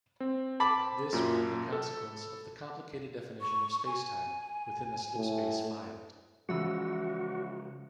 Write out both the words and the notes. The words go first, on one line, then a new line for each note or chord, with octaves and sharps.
This being a consequence of the complicated definition of space-time within the slipspace filed.
C4
A5 B5 D6
F#2 A#2
A4
C#6
G#5
A2
C#3 E3 F3 G#3 F#4 E5 C#7